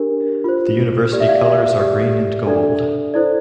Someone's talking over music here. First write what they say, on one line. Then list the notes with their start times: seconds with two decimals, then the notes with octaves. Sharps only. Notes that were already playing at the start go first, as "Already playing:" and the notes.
The university colors are green and gold.
Already playing: D4 G4 A#4
0.44 F4 C5
1.12 G4 D5
1.20 E5
1.28 D5 F5
1.45 E5
1.63 E5
1.79 G4 D5
2.47 D4 A4 D5
3.14 E4 A4 C5 D5